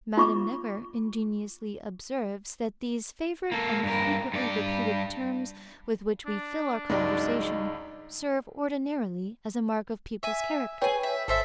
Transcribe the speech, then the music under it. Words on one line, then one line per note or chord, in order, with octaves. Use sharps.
Madame Necker ingeniously observes that these favorite and frequently repeated terms with which we fill our conversation, serve, ordinarily as a mark of people's character.
F4 C#6 D6
A#3 A4
G2 A#4
G2 D5
D4
C#2 G2 F#3 G#3 D#4 D5
E5 G#5
G#4 B4 C#5 G5 G#5
E5
G#1 A4 C5 E5